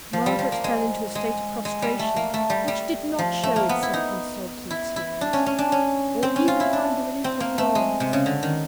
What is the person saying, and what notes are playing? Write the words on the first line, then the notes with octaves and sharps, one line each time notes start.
Margaret fell into a state of prostration, which did not show itself in sobs and tears, or even find the relief of words.
F3
G3
F3
A#3
G#3
G#3
G#3
G3
A3
A#3
A3
G3
G3
F3
A3
A#3
B3
E4
D#4
E4
E4
D4
C#4
C#4
D4
C#4
C4
C#4
F4
E4
D4
C4
A#3
A3
G#3
C3
C#3
D3
D#3